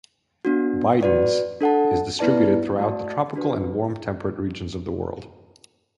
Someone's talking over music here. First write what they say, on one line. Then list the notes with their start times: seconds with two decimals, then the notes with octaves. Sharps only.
"Bidens" is distributed throughout the tropical and warm temperate regions of the world.
0.45 B3 D4 F#4
1.03 F#4 B4 D5
1.61 D4 A4 F#5 A5
2.19 B3 E4 B4 D5 A5
2.78 A3 F#4 D5 A5
3.36 D4 F#4 B4